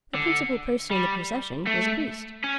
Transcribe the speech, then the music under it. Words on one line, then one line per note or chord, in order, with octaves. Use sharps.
The principal person in the procession was a priest.
D3
G3
A3
C#4